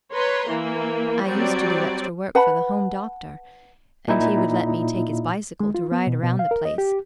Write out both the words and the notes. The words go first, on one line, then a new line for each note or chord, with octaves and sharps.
I used to do extra work for the Home doctor, and he would let me take his bicycle to ride around the place.
B4 C#5 A#5 C6
E3 A#3
F#3 G3 C4 D5
B4 F#5 A5 B5
A#2 D#4 E4
G#3
F4
B3
B2
B2
F5
A#4
D#5
G4